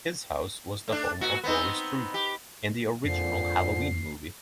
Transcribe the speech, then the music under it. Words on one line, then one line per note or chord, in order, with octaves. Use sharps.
His house was the home of Laurie Strode in the original "Halloween" movie.
A3 D4
A#2 F#4
B3 C4 D#4
G4
F2 A#2 D3 F3 C7